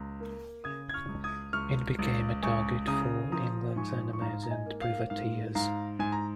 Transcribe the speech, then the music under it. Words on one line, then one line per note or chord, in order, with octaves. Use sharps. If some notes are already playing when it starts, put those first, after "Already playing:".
It became a target for England's enemies, and privateers.
Already playing: C#2 A#5
A#3
C#3 D#6 G#6
G#6
C#6 F6
C#2
D#6 G#6
C#2 C#6 F6
C#2
C#2 G#5 C#6
C#3 A#5 D#6
F3 A#5 D#6
G#2 G#5 C#6
C#6
G#2 F5 A#5
A#5
D#5 G#5
A#3
F5
G#2 F5
G#2 F5 A#5
G#2 G#5
A#5